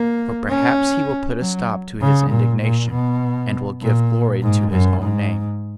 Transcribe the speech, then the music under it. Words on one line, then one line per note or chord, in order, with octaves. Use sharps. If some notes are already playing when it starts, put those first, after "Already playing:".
For perhaps he will put a stop to his indignation, and will give glory to his own name.
Already playing: A#3
C#4
F#3
C#3
A#2
A#2
B2
A#2
G#2
F#2
G#2